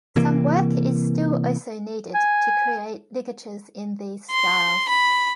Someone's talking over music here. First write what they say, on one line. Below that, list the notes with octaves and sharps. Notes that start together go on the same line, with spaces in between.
Some work is still also needed to create ligatures in these styles.
C3 E3 A#3
G#5
C6
B5